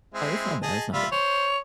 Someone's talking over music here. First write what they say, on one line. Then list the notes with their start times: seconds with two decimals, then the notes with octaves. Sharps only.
Oh, that's not bad, that's not bad.
0.14 G#3 C4 E4
0.63 G#4 D#5 A5
0.93 G3 F4 E5 B5
1.12 C5 C#5